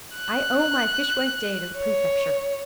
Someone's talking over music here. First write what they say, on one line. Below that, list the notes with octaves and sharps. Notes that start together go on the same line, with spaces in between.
"I owe my fishwife day to the prefecture."
F#6
C#5